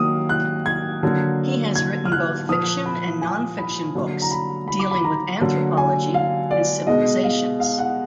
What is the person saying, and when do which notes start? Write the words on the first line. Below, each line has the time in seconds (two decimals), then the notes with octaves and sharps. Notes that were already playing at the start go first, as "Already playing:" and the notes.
He has written both fiction and non-fiction books dealing with anthropology and civilizations.
Already playing: D#3 F#3 A#3 D#6
0.29 F#6
0.66 G#6
1.03 D3 F#3 A#3
1.76 G#6
2.05 F6
2.12 F#6
2.49 A#2 F3 A#3 D#6
2.86 B5
3.21 G#5
3.58 B5
3.95 D3 F#3 A#3
4.22 A#5
4.31 B5
4.68 B5
4.79 D6
4.91 B5
5.04 A#5
5.41 D3 F#3 A#3
5.77 G#5
6.14 F5
6.51 D5
6.87 B2 G#3 D#5
7.24 F5
7.60 F5
7.78 F#5